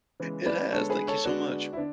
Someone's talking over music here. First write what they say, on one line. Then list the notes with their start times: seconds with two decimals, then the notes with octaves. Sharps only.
It has, thank you so much.
0.20 C#3 E3 G#3 B3
0.46 B4 D5
0.72 D3 G#3 B3 A4 C#5
0.90 G#4 B4
1.08 A4 C#5
1.24 D3 G#3 B3 D4 F#4
1.73 E4
1.77 D3 B3 D4